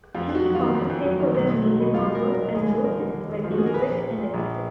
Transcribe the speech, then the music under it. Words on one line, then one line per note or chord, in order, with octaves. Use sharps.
Thieves compensate for their medium armor and low health by being quick and evasive.
F2 F4
F2
F#4
F#3
D#3 F4
F2
F2
F#3
D#3
B1
B1
F#3
B2
B1 F4
B1
A#4
F#3
B2 A#4
D#2 G#4
D#2
F3 A#4
D3
D#2
D#2
F3
F#4
D3 G#4
A#4
A#1 B4
A#1
F3
A#2
A#1